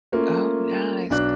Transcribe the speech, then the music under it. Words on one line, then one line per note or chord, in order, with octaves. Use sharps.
Oh, nice.
A3 A#3 C#4 F4
B1 D4 F#6